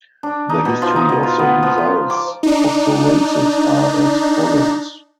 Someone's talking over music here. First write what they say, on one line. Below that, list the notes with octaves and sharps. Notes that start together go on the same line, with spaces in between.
The history of the results of the races are as follows.
D4
D#4
B2
F3
D#4
B2
F4
B3
F3
C6
D6
D4 D#4